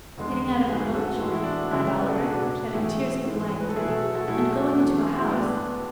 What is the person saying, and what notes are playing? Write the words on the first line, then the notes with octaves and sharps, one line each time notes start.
'Getting out of a coach,' replied Oliver, shedding tears of delight, 'and going into a house.
E2 D3 G#3
G#2 F#3 A3 G#4 B4
F#4 A4
A2 E3 G#3 F#4
E4
D4 F#4
F#2 C#3 G#3 C#4 E4
B4
A4
G#4
B2 A3 D4 F#4
A2 E3 A3 E4 G#4
G#2 E3 A3
B4
A4
B2 F#3 A3 E4 G#4
F#4 A4
F#4 A4
B2 F#3 A3 E4 G#4
D4 F#4
F#2 E3 A3
G#4
F#4
E4
A2 G#3 B3 D4